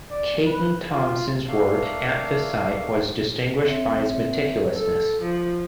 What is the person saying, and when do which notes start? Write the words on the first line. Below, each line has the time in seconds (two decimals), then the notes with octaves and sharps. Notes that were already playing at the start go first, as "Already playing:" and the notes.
Caton Thompson's work at the site was distinguished by its meticulousness.
0.11 D5
0.46 B4
0.90 F4
1.48 A3 A#3 D4 F5
3.62 C4 C#5 E5
4.75 A4
5.22 F3